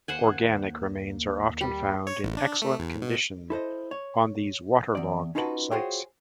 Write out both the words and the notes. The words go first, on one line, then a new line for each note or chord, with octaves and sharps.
Organic remains are often found in excellent condition on these water-logged sites.
D#2 A#3 C5 F#5 G#5
G3
C#5
A1
D4
A3
E2
B2
E4 A4 C5 D#5
C#5
E2 D5
C#4 D#4 F4 F#4 B4 A5
F4 F#4 G#4 C5 C#5 G5